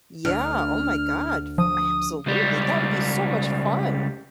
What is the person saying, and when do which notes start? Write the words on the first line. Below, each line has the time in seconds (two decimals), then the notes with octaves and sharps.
Yeah, oh my god, f absolutely. That would be so much fun.
0.25 D2 F6
1.58 F3 D#6
2.26 C#2 G3